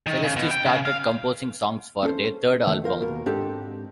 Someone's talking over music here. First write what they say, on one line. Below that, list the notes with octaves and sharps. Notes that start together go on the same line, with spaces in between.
Celesty started composing songs for their third album.
D#3
C#3
B2
G5
C#3
F5
C#4 A4 C5
D#3 A3
F4 A#4 C5 F5
D#2 B2 A#4
G#2 C4 D4 G4 A4 D#5